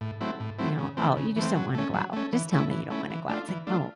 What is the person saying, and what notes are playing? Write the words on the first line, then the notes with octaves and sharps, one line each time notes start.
you know, "Oh, you just don't wanna go out. Just tell me you don't wanna go out." It's like, "No"
A2
F#3 A3 C4 E4
A2
F#3 A3 C4 E4
C#3
E3 A3 C4
C#3
E3 A3 C4
F#3
A3 C#4
F#3
A3 C#4
E3
A3 C#4 E4
E3
A3 C#4 E4
E3
A3 D4 F4
E3
A3 D4 F4